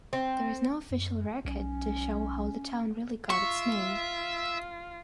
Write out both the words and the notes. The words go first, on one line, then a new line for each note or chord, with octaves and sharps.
There is no official record to show how the town really got its name.
C4
F#2
B1 C#4
F4 E5 C#6